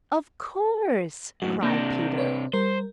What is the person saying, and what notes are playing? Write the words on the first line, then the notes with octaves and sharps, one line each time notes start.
"Of course," cried Peter.
F#2 A2 F#4
C3 A#3 D4 G6 A#6
B4 C#5 D5
G3 A#4 C5